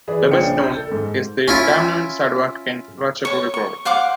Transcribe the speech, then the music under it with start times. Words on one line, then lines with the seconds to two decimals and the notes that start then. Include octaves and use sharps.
The best-known is the Damnoen Saduak in Ratchaburi Province.
0.08 E3 G#4 B4 D5
0.31 A#1 C#3 D4 C5 G5 C#7
0.63 G6
0.76 A4
0.92 G#2
1.48 C#4 E4 F4
3.25 C#5 C#6
3.54 C#6
3.85 C5 F5 F#5 D6